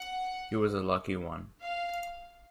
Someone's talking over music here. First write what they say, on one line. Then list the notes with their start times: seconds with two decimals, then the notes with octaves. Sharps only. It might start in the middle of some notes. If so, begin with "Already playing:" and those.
He was a lucky one.
Already playing: F#5
1.62 F5